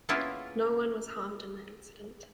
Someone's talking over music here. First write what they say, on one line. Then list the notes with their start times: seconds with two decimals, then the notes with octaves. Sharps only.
No one was harmed in the incident.
0.09 A#3 B3 C#4 E4 F4 G#4